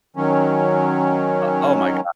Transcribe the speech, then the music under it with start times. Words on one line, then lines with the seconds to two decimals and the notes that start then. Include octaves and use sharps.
O oh my God.
0.16 D#3 F#3 C#4